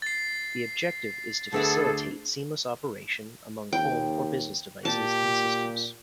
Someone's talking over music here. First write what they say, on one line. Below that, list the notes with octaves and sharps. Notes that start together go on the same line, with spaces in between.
The objective is to facilitate seamless operation among home or business devices and systems.
A6 C7
D2 B3 D4 G#4 A4 E5
D#2 G5
A#2 G4 A5